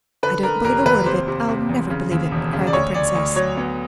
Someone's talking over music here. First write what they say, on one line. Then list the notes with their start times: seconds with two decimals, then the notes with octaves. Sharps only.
"I don't believe a word of it,--I'll never believe it," cried the Princess.
0.23 D3 B4
0.43 D3 A#4
0.64 F1 A#4
0.85 D#2 B4
1.06 C3 C5
1.28 C3
1.48 C3
1.69 E2
1.90 C#3
2.11 D#2
2.31 E1
2.53 C#3
2.67 D5
2.73 D2 C#5
2.94 D2 D5
3.15 D2
3.36 F#3 C#5
3.57 B3